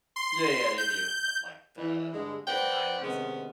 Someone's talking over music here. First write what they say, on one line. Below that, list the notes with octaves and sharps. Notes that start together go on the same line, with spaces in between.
Yeah, yeah, they do. Uh, like, the different islands, so
C6
G6
E3
G2 D3 G#3
B4 C5 D5 F#5 G5
C3 D#3 G#3 B3 C#4